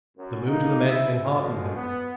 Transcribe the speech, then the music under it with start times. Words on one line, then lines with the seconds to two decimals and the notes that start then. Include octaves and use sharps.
The mood of the men enheartened him.
0.18 F#2
0.47 A#3 D#4
0.88 E4 E5
1.22 B2 D3 F3 F#3 G#3
1.76 B3